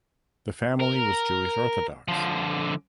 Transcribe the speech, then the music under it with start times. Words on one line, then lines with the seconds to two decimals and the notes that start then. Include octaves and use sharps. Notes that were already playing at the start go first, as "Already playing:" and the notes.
The family was Jewish Orthodox.
0.80 A#4
2.08 D3 F3